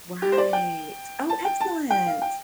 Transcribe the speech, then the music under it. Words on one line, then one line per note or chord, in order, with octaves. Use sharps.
Right. Oh, excellent!
G4
C5
D5
G5
A5
G5
A5
G5
F5
G5